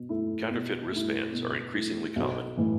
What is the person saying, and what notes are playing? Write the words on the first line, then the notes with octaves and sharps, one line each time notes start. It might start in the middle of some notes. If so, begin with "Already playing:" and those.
Counterfeit wristbands are increasingly common.
Already playing: B2
A3 E4
B2
A3 E4
B2
A3 E4
B1
A2 E3